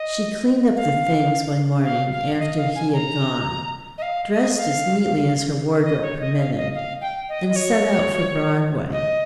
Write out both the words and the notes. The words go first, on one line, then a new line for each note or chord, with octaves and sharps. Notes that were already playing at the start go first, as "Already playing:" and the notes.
She cleaned up the things one morning after he had gone, dressed as neatly as her wardrobe permitted, and set out for Broadway.
Already playing: D#5
F5
F5
F5
D#5
F5
G#5
A#5
D#5
F5
D#5
F5
D#5
C#5
D#5
F5
D#5
F5
G5
D#5
D#5
C#5
D#5